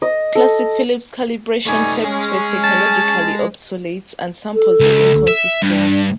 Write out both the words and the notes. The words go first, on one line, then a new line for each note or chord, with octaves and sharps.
Classic Philips calibration tapes were technologically obsolete and samples were inconsistent.
D#5
A4
G3 A3 D#4 G#5 C#6
G#3 C#4 G#4
A5
A4
C#2
E5
G2 D4